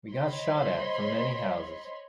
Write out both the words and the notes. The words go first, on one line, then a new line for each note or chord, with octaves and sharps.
We get shot at from many houses.
C5 C#5 D#5 B5 C6